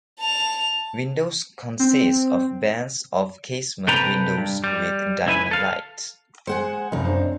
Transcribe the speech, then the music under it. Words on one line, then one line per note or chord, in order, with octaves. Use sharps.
Windows consist of bands of casement windows with diamond lights.
A5 F7
C4
C3 A4 B4 G5 A#5
G2
G3
C#2 E4 B4 G#5
A4 F5
G#3 C5 F#5 G#5 C#7
F1 C#2 F#2 D#4
C4 D4 C5